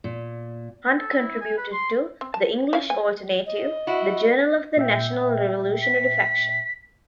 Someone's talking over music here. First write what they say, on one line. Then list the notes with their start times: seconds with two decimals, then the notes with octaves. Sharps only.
Hunt contributed to "The English Alternative", the journal of the National Revolutionary Faction.
0.04 A#2
0.97 A4
1.17 E4
1.41 G#5
1.57 B4
1.73 C6
2.21 C4
2.34 A5
2.73 C#4 F5
2.90 G#5
3.46 D#5
3.87 E4 F#4
4.77 A#2 E5 G5
5.82 B6